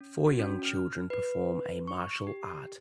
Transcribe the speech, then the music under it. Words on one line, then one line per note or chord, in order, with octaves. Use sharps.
Four young children perform a martial art.
C#4
F#4
C#4
F6
B4
C#6
G4